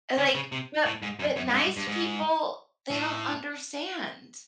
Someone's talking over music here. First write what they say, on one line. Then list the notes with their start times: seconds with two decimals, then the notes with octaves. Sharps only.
Like, but but nice people, they don't understand.
0.18 D3
0.35 C#3
0.52 C3
0.86 A2
1.02 G#2
1.19 F#2
1.36 F#2
1.49 G#2
1.54 G2
1.77 G2
1.88 G#2
2.91 A2